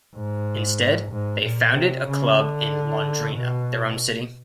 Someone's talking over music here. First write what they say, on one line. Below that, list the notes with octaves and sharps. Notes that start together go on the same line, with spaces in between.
Instead, they founded a club in Londrina, their own city.
G#2
G#2
A#2
C3
C#3
D3
B2